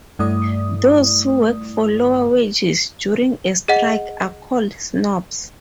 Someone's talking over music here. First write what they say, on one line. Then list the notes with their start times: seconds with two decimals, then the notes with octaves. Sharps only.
Those who work for lower wages during a strike are called snobs.
0.19 G2 A3 E4 D5 D#6
3.68 G#4 D#5 F#5